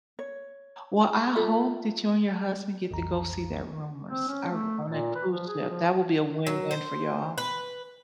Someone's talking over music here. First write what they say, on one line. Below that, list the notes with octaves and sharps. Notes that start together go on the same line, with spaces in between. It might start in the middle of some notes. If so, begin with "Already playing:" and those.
Well, I hope that you and your husband get to go see that Rumors, I r on a cruise ship, that will be a win-win for y'all.
C#5
F4 A4 D5 E5
B1 F2 E3 A#5
C4
C#4
A3
A#2
B4
F3
G#4
F3
F#3
C5
B4